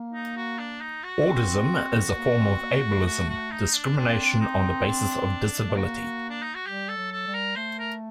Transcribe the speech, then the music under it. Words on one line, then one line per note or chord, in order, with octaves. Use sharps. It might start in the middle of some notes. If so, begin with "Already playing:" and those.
Audism is a form of ableism, discrimination on the basis of disability.
Already playing: A#3
D#4
F#4
D4
D#4
F#4
C4
A#3
C4
A#3
A3
F#4
F#4
D#4
D4
C4 D4
D#4
D4
A3
A#3 F#4
D4
D#4
F#4
G3 G4
A4
F#3
A4
G3
A#4
A3 C5
A#4